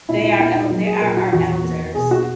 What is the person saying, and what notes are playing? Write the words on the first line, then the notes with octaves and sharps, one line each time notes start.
they are el they are our elders,
A#2 E4
E4
A#3 E4
D#4
F#3
G#4
A#2 A#4
F#4
E2 F#4
A#3
B2 G#4
F#4